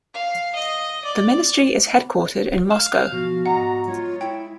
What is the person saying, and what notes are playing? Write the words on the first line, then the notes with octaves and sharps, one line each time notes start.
The Ministry is headquartered in Moscow.
F5
D#5
D5
F5 E7
B2 F3 F#4
G#2 D4 D#5 F#5 A#5
G#3 F4 C#5
E4 G5